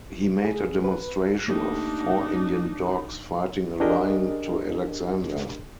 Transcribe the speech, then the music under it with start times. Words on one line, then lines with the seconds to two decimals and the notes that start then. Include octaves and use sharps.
He made a demonstration of four Indian dogs fighting a lion to Alexander.
0.45 G#4
0.84 B4
1.48 A3 A#3 D4 D#4 G4
3.80 D4 G4 G#4 A#4 D#5